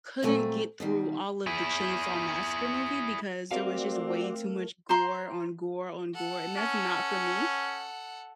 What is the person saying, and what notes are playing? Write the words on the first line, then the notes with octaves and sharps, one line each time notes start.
couldn't get through all of the Chainsaw Massacre movie because there was just way too much gore, on gore, on gore, and that's not for me.
A#2 F#3 A3 C4 G#5
B2 D#3 G3
E4 G#4
A3 C4 F#4 A#4 D5 F5
C5 A#5 C6
A4 F#5
C#4